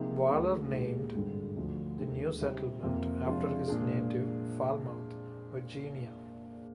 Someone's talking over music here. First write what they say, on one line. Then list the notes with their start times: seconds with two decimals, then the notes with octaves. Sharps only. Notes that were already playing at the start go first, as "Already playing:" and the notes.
Waller named the new settlement after his native Falmouth, Virginia.
Already playing: C3 F3 A#3 D#4 G#4
0.29 D2 D3 G#3
0.71 A#2 G#3 D#4 G4
1.14 G#1 G2 D3 G#3
1.56 D2 D3 F3
1.98 D#2 D3 G#3 D#4
2.41 C3 G3 C4 D#4
2.83 F2 C3 F3 A#3
3.25 C3 F3 G#3 D4 F4
3.67 A#2 G#3 D4 G#4